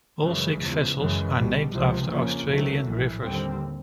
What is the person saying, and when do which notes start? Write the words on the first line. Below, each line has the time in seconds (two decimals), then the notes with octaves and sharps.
All six vessels are named after Australian rivers.
0.22 F#2 C#3 E3 G#3
0.60 E2 C#3 F3
0.97 F#2 C#3 E3 G#3
1.35 C2 B2 G3
1.72 C#2 C3 F3
2.10 F2 C#3 F3 A#3 C#4
2.48 C#2 C3 D#3 F#3 A3
2.85 A#1 A2 E3
3.22 D#2 D3 G3 C4